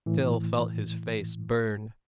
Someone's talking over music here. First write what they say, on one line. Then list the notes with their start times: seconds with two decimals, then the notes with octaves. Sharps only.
Phil felt his face burn.
0.06 A2 E3